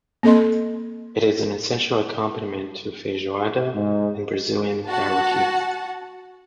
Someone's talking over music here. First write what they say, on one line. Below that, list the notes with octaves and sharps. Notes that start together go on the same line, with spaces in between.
It is an essential accompaniment to "feijoada" and Brazilian barbecue.
A#3 C4 A4 D#5 C6
G#2
F#4 F#5 A5